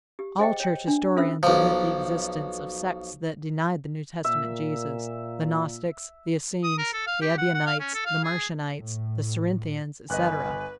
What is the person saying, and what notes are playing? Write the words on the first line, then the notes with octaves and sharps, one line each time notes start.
All church historians admit the existence of sects that denied the New Testament Jesus--the Gnostics, the Essenes, the Ebionites, the Marcionites, the Cerinthians, etc.
G4
G#4 C5 D#5 F#5 G5
C#5 G5
D4
C#4 F4 A4 C5 E5 E6
B1 F3
A#2 E5
D#6
A#4
A4
F5
G4
F#5
F#5
F5
C#4
A4
F5
G#4
A2
G1 B4 D#5 G#5 F#6